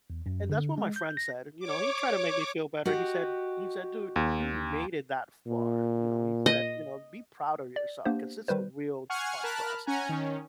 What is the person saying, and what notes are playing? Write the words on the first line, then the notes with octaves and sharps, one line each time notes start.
And that's what my friend said, and you know he tried to make me feel better, he said he said, "Dude, you made it that far," you know he said, you know, "Be proud of yourself 'cause it's a real hard process."
E2
F#2
D3
G#3
G6
A#6
C#5 D6
F#4 G4 D#5
D#2
A#2
D#5
D5
A#3 B3 D4 G4 C5
D#3 G3 B4 C5
F#5 G#5 C#6 F6 G#6 C7
A#4 A5 B5 F6 F#6
C#4 F#5 G#5 A#5
D#3 C#4